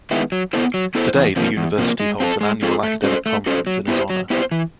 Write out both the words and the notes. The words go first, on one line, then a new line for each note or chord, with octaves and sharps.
Today the university holds an annual academic conference in his honor.
D#3 G#3 B3 E4
F#3
B3 E4 A4 C5
F#3
B3 E4 A4 C5
E2
C3 F3 A#3
E2
C3 F3 A#3
G#3
C4 F4 A4
G#3
C4 F4 A4
A3
C#4 F#4 A4 C5
A3
C#4 F#4 A4 C5
F#3
B3 E4 G4 C5
F#3
B3 E4 G4 C5
E3